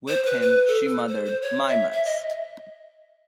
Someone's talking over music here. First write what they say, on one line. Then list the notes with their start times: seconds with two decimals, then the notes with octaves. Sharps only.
With him, she mothered Mimas.
0.09 C5
0.26 B4
0.42 B4
0.68 A4
1.09 C5
1.25 C5
1.42 C#5
1.68 E5
1.92 E5
2.06 D#5